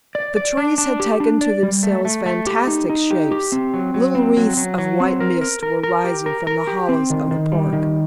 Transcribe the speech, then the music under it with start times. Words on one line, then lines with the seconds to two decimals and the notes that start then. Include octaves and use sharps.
The trees had taken to themselves fantastic shapes, little wreaths of white mist were rising from the hollows of the park.
0.15 D5
0.36 D5
0.57 D4
0.78 D4
1.00 G4
1.20 D4
1.41 D5
1.63 G3
1.83 A3
2.05 A3
2.26 A3
2.47 G4
2.67 D#4
2.89 D#4
3.11 G4
3.32 G4
3.52 C4
3.74 F#3
3.94 F#3
4.15 C4
4.37 F#3
4.57 F#3
4.78 F#3
5.00 C4
5.20 A#4
5.41 A#4
5.63 A#4
5.83 A#4
6.04 G4
6.26 A#4
6.47 A#4
6.67 G4
6.89 C4
7.10 D#3
7.31 D#3
7.52 G3
7.73 D#3